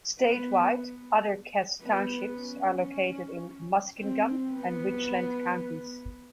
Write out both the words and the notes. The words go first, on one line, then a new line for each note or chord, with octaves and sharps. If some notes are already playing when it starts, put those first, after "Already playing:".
Statewide, other Cass Townships are located in Muskingum and Richland counties.
B3
B3
C#4
C4
B3